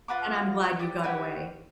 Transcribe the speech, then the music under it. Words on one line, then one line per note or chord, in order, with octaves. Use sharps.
And I'm glad you got away.
F4 B4 F#5 D6
G4 D5
C#4 F#4 G4 B4